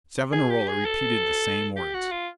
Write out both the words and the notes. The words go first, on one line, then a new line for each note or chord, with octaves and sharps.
Savonarola repeated the same words.
G#4
G4
G#4
A4
G4
F#4
F4